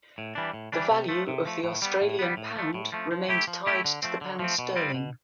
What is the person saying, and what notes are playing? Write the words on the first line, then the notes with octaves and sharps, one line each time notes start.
The value of the Australian pound remained tied to the pound sterling.
A2
E3 G3 D4
A2
E3 G3 D4
C3
F3 A3
C3
F3 A3
A2
G3 B3
A2
G3 B3
A2
F3 A3
A2
F3 A3
F3
A3 E4 G4
F3
A3 E4 G4
D3
F3 A3 C4
D3
F3 A3 C4
B2
G3 C4 F4
B2